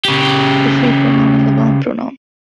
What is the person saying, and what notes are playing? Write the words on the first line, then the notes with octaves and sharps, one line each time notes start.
The free pronoun and the bound pronoun.
C#3 G4